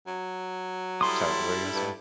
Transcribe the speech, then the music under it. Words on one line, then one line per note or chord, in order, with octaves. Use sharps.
Sorry, what were you gonna say?
F#3
G3 E4 A4 C6 D#6
G2